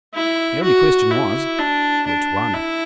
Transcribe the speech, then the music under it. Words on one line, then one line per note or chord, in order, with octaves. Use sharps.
The only question was, Which one?
E4
F#4
E4
D4
D4
E4